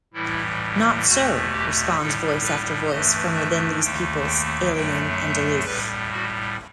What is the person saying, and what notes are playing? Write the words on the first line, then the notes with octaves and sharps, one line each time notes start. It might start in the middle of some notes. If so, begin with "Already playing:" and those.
"Not so," responds voice after voice from within these peoples alien and aloof.
A2 E3 G3 E4
E2 B2 A3 F#4
G4
A2 G3 A4
B4
G2 E3 A3 D#5
E5
D#2 D#3 A3 G5
G5
F#2 F#3 A3 G5
E5
A2 G3 B4
F#4